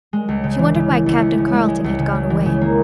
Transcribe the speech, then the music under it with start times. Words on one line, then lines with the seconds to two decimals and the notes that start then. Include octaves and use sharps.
She wondered why Captain Carleton had gone away.
0.13 G#3
0.28 C#2
0.44 C#3
0.59 E3
0.75 C#3
0.90 E3
1.06 C#2
1.22 C#2
1.38 C#3
1.53 G#3
1.68 G#3
1.84 C#2
1.99 C#3
2.15 G#3
2.30 E3
2.46 C#3
2.61 A#3